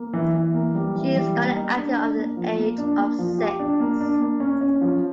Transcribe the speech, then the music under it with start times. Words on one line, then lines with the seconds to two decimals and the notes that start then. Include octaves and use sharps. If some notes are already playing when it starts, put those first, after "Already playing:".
She started acting at the age of six.
Already playing: A#3
0.13 E3
0.34 E3
0.54 A#3
0.75 G3
0.95 E3
1.15 G3
1.35 A#3
1.56 D#4
1.76 D4
1.97 D4
2.17 A#3
2.37 F3
2.57 A#3
2.78 D4
2.98 A#3
3.19 F3
3.39 G4
3.59 D4
3.80 A#3
4.00 D4
4.20 A#3
4.40 C#4
4.61 C#4
4.81 F3